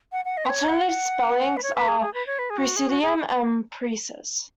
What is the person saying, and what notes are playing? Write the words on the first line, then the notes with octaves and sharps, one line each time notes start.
Alternative spellings are "presidium" and "preses".
F#5
F#5
D#5
B4
C#5
F#5
F#5
B4
C#5
B4
G#4
G#4
B4
C#5
B4
G#4
F#4
G#4
F#4
G#4